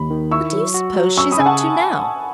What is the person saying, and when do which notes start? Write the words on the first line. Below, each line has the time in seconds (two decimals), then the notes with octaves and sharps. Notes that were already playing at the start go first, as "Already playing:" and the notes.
"What do you suppose she's up to now?"
Already playing: D#2 B5
0.10 D#3
0.31 E4 C#6 E6
0.53 F#3
0.74 F#4
0.96 F#3
1.18 C#4 C#6 E6
1.31 B5 D#6
1.39 C#3 G#5
1.46 F#5 A5